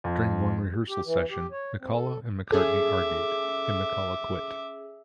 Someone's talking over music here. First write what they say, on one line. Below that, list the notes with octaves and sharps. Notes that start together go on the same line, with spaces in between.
During one rehearsal session, McCullough and McCartney argued, and McCullough quit.
F2
G4
E3
G4
C#5
C4
A4
C#4 G#4 A4 E5 D6